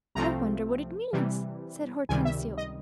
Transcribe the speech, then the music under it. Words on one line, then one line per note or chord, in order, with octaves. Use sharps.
"I wonder what it means," said Hortensio.
C2 C3 F3 A3 C4 A#5
C3 E3 G3
C#2 C3 D#3 G3 G#5
E5
D#5